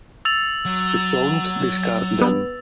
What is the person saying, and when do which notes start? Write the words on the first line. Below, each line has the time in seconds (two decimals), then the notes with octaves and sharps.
You don’t discard them.
0.25 E6 A6 F7
0.66 F#3
2.21 B3